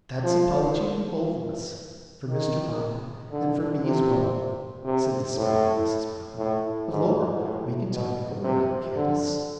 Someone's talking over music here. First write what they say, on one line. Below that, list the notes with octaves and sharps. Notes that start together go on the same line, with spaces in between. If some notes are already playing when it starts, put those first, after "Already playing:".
'That's apology for both of us: for Mr Boffin, and for me as well,' said the smiling Mrs Boffin. 'But Lor! we can talk it over now; can't us?'
F3
D#3
D3
C3
C3
A2
A2
G#2
A2
B2
C3
D3